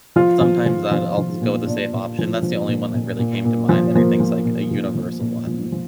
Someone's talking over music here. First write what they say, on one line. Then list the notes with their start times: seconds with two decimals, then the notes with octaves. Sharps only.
Sometimes I'd I'll just go with the safe option, that's the only one that really came to mind that I think is like a universal one.
0.16 F3 F4
0.41 F3
0.66 F3
0.91 F3 F4
1.17 F3
1.42 A#2
1.67 A#2 D4
1.93 A#2
2.19 F3
2.43 F3
2.68 A#2
2.94 A#2
3.19 A#2
3.45 A#2
3.69 F3
3.95 F3 A#3
4.20 F3
4.45 A#2
4.71 F3
4.95 F3
5.21 A#2
5.47 F3
5.72 F3